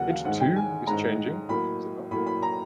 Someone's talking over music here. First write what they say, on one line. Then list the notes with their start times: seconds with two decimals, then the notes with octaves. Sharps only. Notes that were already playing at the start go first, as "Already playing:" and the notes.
It, too, is changing, is it not?
Already playing: D#2 C#3 F#3 A#3 F#5
0.10 F5
0.25 G#2 D#3 G#3 F#5
0.40 G5
0.56 G#5
0.87 G#2 D#3 G#3 A#5
1.49 A2 F#3 A#3 B5
2.11 A2 F#3 A#3 B5
2.26 B5
2.42 A#5